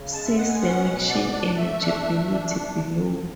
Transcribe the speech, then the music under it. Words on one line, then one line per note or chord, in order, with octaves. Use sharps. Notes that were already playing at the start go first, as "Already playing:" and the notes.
See "Selection eligibility" below.
Already playing: C#3
G#3 A5
E5
B3 F#5
G#5
C#4 F#5
B2
B3 D5
D4
A3 E5
D4
A3
D4